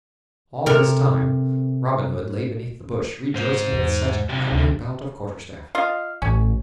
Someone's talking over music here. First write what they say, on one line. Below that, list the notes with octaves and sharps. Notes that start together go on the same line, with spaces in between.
All this time Robin Hood lay beneath the bush, rejoicing at such a comely bout of quarterstaff.
C3 A4 A#4
G#2 C5
E2
C3 F#3 G4
D2
F4 D#5 F5
A1 C#4